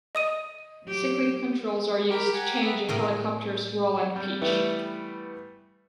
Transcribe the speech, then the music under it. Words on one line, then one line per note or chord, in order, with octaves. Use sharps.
Cyclic controls are used to change a helicopter's roll and pitch.
D#5 D#6 D#7
F#3 G4
G4 A#4 B5 F6
F#5 G#5 A#5
B3 E5
A2 A#4 D#5
G3
E3 G3 A3 B3